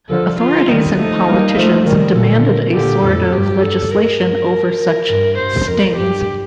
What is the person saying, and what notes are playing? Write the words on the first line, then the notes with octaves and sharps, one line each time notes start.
Authorities and politicians demanded a sort of legislation over such "stings".
D3 F3 A4
F4
D#3 G3 D#4
F3 A3 D#4
G3 A#3
F3 A3
D#3 G3 A#4
A#2 D3 A4
A#4
A#2 D3 G4
F2 A2 A4
G2 G4
A4
A#4
G2 A#4
A#4
G2 A#4
G2 C5
F2 A#4
G2 G4